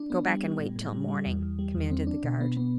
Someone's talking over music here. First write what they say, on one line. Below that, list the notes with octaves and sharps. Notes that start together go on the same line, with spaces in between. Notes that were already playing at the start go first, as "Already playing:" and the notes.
"Go back and wait till morning," commanded the guard.
Already playing: D4
B3
G3
G3
A2
A2
G3
G3
E2
E2
G3
E2
C4
D4
B2
B3
B3